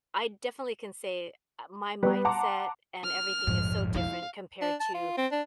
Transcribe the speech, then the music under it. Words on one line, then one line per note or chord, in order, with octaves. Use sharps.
I definitely can say, uh, my mindset and everything is so different compared to
G3 B3 B4
F#5 A5 A#5 C6 D6
F6
F1 A#1 F2 G#2
E4 F5
D4
A5
F4
C4
D4